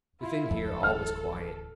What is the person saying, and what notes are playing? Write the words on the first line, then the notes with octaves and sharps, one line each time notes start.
Within here all was quiet.
E4 F4
D1 F2 A4
D1 A1 E3 F6